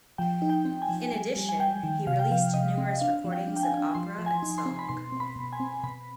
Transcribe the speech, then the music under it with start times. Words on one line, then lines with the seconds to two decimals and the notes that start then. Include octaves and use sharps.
In addition, he released numerous recordings of opera and song.
0.18 F3 G5
0.42 D#4
0.50 G5
0.65 C4
0.82 G#5
0.89 F3
1.12 G3 G#5
1.36 G3
1.49 G#5
1.59 G3 G5
1.83 D#3
2.07 C3 F5
2.19 G5
2.30 F3 F5
2.54 C3 D#5
2.78 C4
3.01 D4 F5
3.25 F3
3.32 G5
3.48 D4
3.56 G5
3.63 G#5
3.72 D4
3.95 F3 C6
4.19 F3
4.26 G#5
4.42 D#4
4.58 C6
4.66 C4
4.79 B5
4.89 B2 C6
5.12 C4
5.20 B5
5.36 B2
5.53 G#5
5.60 C4
5.83 B2 B5